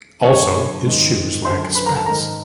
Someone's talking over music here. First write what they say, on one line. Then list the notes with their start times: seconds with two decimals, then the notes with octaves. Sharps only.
Also, his shoes lack spats.
0.24 F#2 D3 C#5 C#6
0.85 G#2 D#3
1.45 F#2 D3 C5 C6
1.75 B4 B5
1.86 A#4 A#5
1.96 A4 A5
2.05 G#2 D#3 A#4 A#5